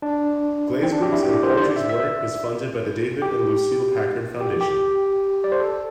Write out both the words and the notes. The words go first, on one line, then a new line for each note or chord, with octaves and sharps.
Glazebrook's and Baldry's work was funded by the David and Lucile Packard Foundation.
D4
C4
D4
G4
E4
G4
C5
C5
D5
E5
E5
G4
G4
G4
D5
C5
A4